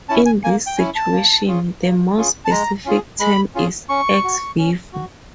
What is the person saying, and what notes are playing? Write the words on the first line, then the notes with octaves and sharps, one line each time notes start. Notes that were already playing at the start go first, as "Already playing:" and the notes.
In this situation, the more specific term is "ex vivo".
C#4 E4 A5
G#5
A#3 G#5
G5
C#4 E4 G#5
A5
A#3
C#4 F4 G#4
A#3
C#4 F4 G#4
A5
G#3 A#5
C#4 F4 G#4
G#3 B5
C#4 F4 G#4
C#4 C#6
F#4
C#4
F#4